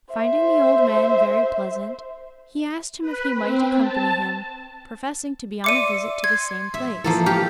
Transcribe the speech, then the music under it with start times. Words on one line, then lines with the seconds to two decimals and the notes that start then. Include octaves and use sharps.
Finding the old man very pleasant, he asked him if he might accompany him, professing to be on a visit to the same place.
0.12 C5 E5
3.01 B4
3.32 C4
3.81 A5
5.64 D5 E5 C6 D6 C#7 D#7
6.24 C6 G#6
6.74 E5
7.04 E3 F3 A#3 A4
7.26 G4 F6